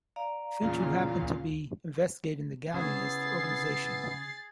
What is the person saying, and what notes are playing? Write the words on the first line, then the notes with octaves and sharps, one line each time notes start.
Finch, who happened to be investigating the "Galleanist" organization.
D5 F5 A#5
E2 A#2 C#3 F4
D#2
C#3 B3 E4 G#4 A6 C7